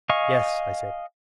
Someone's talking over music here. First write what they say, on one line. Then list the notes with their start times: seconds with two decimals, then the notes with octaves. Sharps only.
"Yes," I said.
0.10 D#5 F5 G#5 C#6